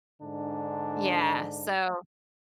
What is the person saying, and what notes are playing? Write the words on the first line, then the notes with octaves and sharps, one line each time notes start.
Yeah, so
G#2 D3 D4